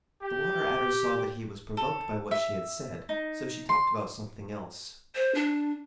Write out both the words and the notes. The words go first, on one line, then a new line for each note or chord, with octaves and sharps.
The Water-Adder saw that he was provoked by what she had said, so she talked about something else.
G4
A4
E5
D#4
C6
C5
D4